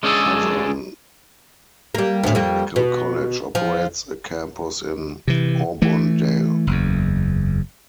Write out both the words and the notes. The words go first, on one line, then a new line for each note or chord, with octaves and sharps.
Southern Technical College operates a campus in Auburndale.
G#3 C#4 D4 F#4 G#4 A4
G3 A#3
D2 A2
F2 G3 A#3
B2
F3
C3 E3
E3 A3
F#1 E2